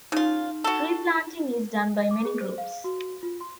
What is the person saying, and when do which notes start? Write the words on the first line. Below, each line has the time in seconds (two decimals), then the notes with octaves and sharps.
Tree planting is done by many groups.
0.12 C#3 D#4 F4
0.64 F#4 A4
1.97 D#5
2.11 D6
2.25 G#4
2.41 C5
2.58 F5
2.84 F#4
3.23 F4
3.41 C6